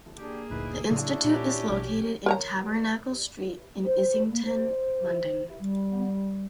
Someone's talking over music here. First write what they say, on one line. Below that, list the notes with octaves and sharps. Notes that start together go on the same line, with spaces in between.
The Institute is located in Tabernacle Street in Islington, London.
A#3 D4 G4 G#4
F#1 D2 A#2 D#4 E4 B4
A2 C#3 F#3 D4 E4 F#4
A#2 C#4 G4
A#1 B2
A#4 C#5 A#5
C5
A#3
C5
G3